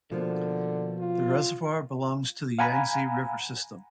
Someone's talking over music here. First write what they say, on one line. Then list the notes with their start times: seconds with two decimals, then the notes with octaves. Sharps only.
The Reservoir belongs to the Yangtze River system.
0.11 B2 D3 F3 A#3
0.99 F4
2.59 F5 F#5 G#5 A#5 B5